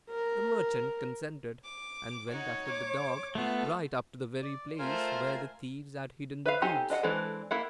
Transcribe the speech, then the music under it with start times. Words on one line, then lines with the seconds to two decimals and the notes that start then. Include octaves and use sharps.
The merchant consented, and went after the dog right up to the very place where the thieves had hidden the goods.
0.10 A#4
1.64 D6
2.31 D#4 F#4 C#5
2.70 D6
3.35 A3 B3 F4 A4
4.42 D5
4.79 A3 F4 A#4 C5 G#5
6.46 B4 E5 F5
6.62 C4 D#4 G4 A4 G#5
6.90 D4 D#5 F5 F#5
7.03 E3 G#3 C4 D4 A4
7.51 A#3 E4 F#5